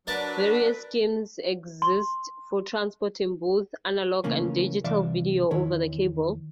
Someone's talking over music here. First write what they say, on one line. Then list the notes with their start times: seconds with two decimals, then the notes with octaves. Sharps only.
Various schemes exist for transporting both analog and digital video over the cable.
0.07 F#3 D4 A#4 B4 D5 A5
1.82 C6
4.24 C#3 E3 A3 A#3 C#4
4.84 C2 E3 D5 E5 F5
5.51 E2 D#3 E4 C#5